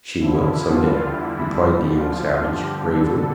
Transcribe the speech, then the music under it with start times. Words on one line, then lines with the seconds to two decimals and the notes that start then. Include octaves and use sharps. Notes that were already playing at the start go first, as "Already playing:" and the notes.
"She will, some day," replied the young savage, gravely.
0.19 F2 D3 F3 E4
0.63 E2 D3 G3 F4
1.06 E2 D3 G3 E4
1.50 E2 B2 G3
1.94 E2 D3 F3 F4
2.38 G2 D3 F3 G4
2.82 F2 D3 G3 A4